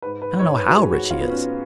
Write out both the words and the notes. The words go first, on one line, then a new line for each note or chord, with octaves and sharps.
I don't know how rich he is!
G#2 B4
B4
G#2 C#5
B4
F#4
G#2 G#4
F#4
G#2 F4
B3
C#4